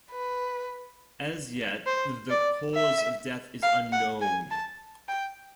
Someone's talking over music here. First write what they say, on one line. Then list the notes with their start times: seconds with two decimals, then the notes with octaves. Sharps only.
As yet the cause of death is unknown.
0.11 B4
1.87 C5
2.30 D5
2.74 E5
3.62 F5
3.92 F#5
4.21 G#5
4.51 A5
5.08 G5